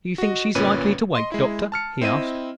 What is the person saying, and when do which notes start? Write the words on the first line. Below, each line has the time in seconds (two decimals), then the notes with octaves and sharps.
"Do you think she is likely to wake, Doctor?" he asked.
0.18 F#4 D#5
0.55 G1 A#2 C#4 B4 D#7
1.15 D#5 C6
1.32 G#3 E4
1.72 A5 F6 C#7
2.01 C4 E4 D#5 D#7